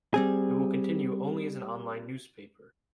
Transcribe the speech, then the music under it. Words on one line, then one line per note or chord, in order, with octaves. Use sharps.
It will continue only as an online newspaper.
G3 C4 G#4